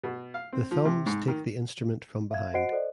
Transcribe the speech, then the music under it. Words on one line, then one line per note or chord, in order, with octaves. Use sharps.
The thumbs take the instrument from behind.
B2
F5
C4
F3
C3
G#2
D#3
E5 F5 G#6
F#4 C5 D#5 F#5 C7 D7
A4 C5 D5 D#5